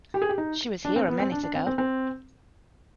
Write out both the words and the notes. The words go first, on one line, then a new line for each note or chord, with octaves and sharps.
She was here a minute ago.
G4
G#4
G4
D#4
D4
C4
B3
C4
D4
D4
C4
C4
C4